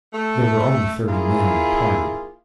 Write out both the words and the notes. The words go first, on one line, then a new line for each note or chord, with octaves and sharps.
There were only thirty men in the party.
A3
A#3 E4 F4 G#4